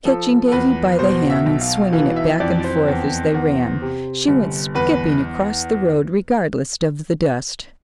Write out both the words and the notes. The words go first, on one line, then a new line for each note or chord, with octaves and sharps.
Catching Davy by the hand, and swinging it back and forth as they ran, she went skipping across the road regardless of the dust.
F3 A4
A4
E2 B4
B2 C5
E5
B1
F5
E3 F5
E5
F2 D5
C5
E2
E2
C3
G1
E2 B4